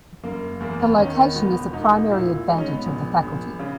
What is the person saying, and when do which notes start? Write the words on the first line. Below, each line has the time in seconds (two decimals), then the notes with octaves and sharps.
The location is a primary advantage of the faculty.
0.24 F#1 A#3
0.60 E2 A#3
0.80 B3
0.98 D#3 C#4
1.17 B3
1.35 E1 B3
1.73 E1 D#4
2.10 A#2 E4
2.28 E4
2.48 G#3 D#4
2.58 C#4
2.67 B3
2.86 A#1
3.22 A#1
3.59 C#3